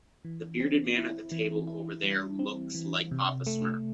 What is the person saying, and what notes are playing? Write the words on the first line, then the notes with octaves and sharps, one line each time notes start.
The bearded man at the table over there looks like Papa Smurf.
E3
C4
E4
E3
E4
G3
C4
E3
C3
A3